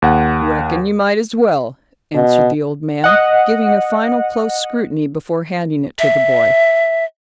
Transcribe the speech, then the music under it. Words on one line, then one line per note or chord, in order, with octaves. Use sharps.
"Reckon you might as well," answered the old man, giving a final close scrutiny before handing it to the boy.
D#2 F#5
B2
D#5 F#5
E5